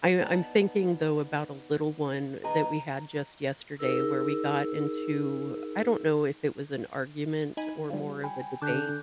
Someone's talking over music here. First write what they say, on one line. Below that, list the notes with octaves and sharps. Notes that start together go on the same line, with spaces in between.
I'm I'm thinking, though, about a little one that we had just yesterday where we got into I don't know if it was an argument or more of a debate,
B3 D#4 D5 A5
D3 A#3 B4 D#5 G#5 A#5
D#4 G#4 A#4 E6
D#4 G#5 B5
F3 G3
G5 G#5 B5
D3 A5 D6 F#6 G6